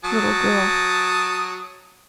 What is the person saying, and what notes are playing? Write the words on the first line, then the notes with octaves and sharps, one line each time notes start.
Little girl.
F#3 A5 D#6